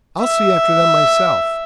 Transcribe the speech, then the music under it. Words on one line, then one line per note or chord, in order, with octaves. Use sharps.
"I'll see after them myself."
E5